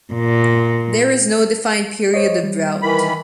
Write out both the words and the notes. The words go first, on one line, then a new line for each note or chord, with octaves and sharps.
There is no defined period of drought.
A#2
C5 C#5 D#5
G3
D#3 E3 B5